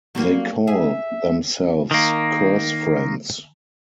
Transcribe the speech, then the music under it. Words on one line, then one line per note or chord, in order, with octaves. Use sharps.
They call themselves Curse Friends.
F#3 G3 A#3
G#4 E5
D#3 A#3